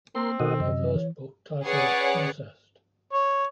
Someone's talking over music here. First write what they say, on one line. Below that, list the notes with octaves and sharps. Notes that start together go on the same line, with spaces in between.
Her first book, titled “Incest”.
A#3 C4 A#4 C6
B2 D#3 F#4 A4 A#4 D#5
F#2 C3 D#5 E6
E3 C#5
C#4 G#4 B4 C#5 D5 F#5
C#5